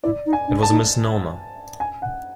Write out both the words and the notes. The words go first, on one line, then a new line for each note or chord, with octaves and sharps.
It was a misnomer.
E4 D5
D#4
G#5
D4
A5
D#4
G#5
F#5